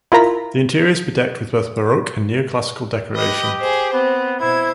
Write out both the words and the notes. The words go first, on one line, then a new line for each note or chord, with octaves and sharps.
The interior is bedecked with both baroque and neoclassical decoration.
E4 F4 A#4 A#5 B5
G4 B4 D#5 F#6
G#4 C5
B3 C4
B2 E4 C5 G#6